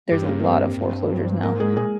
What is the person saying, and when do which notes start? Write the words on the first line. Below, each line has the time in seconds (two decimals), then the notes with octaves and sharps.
there's a lot of foreclosures now,
0.11 G2 G4
0.28 A#3 A#4
0.40 A#4
0.44 C4 C5
0.77 G2
1.43 G#2 A#3 A#4
1.60 G#3 G#4
1.76 A#2 G#3 G#4